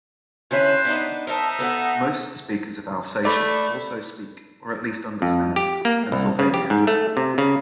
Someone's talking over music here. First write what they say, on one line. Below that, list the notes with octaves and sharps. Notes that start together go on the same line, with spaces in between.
Most speakers of Alsatian also speak or at least understand Pennsylvania German.
D3 E3 C#4 B4 C5
B3 D4 D#4
D#4 A#4 C5 E5 A5
B3 A4 F#5
A3 D5 B5
F2
G4
A#3
C2
C#3
G4
G#2
A3
C3
C#3